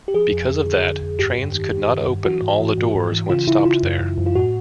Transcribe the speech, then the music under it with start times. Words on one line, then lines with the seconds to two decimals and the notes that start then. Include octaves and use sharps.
Because of that, trains could not open all the doors when stopped there.
0.08 G4
0.14 F3 G#4
0.32 F2
0.49 F2
0.66 D3
0.85 D3
1.02 F2
1.19 G2 G4
1.38 G2
1.55 D#3
1.72 G2
1.89 D#3
2.08 G2
2.24 E3 F#4
2.42 G#2
2.60 E3
2.78 G#2
2.95 G#2
3.12 E3
3.30 C#3 F4
3.47 C#3 E4
3.65 C#3 F4
3.83 F#2
4.00 F#2
4.18 F#2
4.26 F4
4.35 A2 F#4